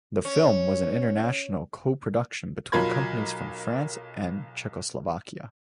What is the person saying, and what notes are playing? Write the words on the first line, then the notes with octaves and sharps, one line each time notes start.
The film was an international co-production between companies from France and Czechoslovakia.
C#4
B1 F#3 F4 A#4 B5 G#6